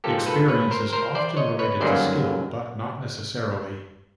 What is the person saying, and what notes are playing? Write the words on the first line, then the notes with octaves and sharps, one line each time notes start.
Experience is often related to skill, but not necessarily.
G#2 F3 A#3 G4 A4
A4 B4
B4 C#5
A#4 C5
A#4 C5
C5 D5
C#5 D#5
B4 C#5
G1 F#2 D#3 F#3 A#3 C5 D5